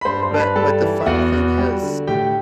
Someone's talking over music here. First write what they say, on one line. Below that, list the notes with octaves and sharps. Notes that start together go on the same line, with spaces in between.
but but the funny thing is
B5
G2 C5 C6
C5 C6
G2 A5
B4 B5
G3 A4 A5
E3
E5
E2 F#4 F#5
E2
G3
D3
A2 G4 G5